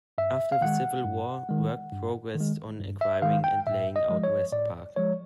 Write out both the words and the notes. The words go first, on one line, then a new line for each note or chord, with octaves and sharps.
After the Civil War, work progressed on acquiring and laying out West Park.
G2 E5
F5
D#3 G#3 F#5
G2
D#3 G#3
G2
D#3
G#3
G2
E5
D#3 G#3 F5
G5
A2 E5
D#5
F3 G#3
C#5
A2 D5
F3 G#3 C#5